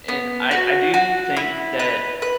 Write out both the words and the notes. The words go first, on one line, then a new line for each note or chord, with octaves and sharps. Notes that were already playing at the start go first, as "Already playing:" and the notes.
and I I do think that
B3
F#4
F#4
E4
B4
B4